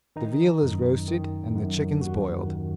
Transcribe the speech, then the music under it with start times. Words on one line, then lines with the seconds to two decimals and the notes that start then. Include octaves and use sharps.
The veal is roasted, and the chickens boiled.'
0.16 D#3 D#4
0.62 F#2
1.08 D#3
1.55 F#2
2.01 D#2 F#4
2.46 D#3